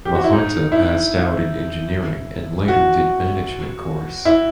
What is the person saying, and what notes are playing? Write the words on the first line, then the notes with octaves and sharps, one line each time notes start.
Mahanta passed out in engineering and later did management course.
G4
F#4
E4
D#4
E4
F#4
E4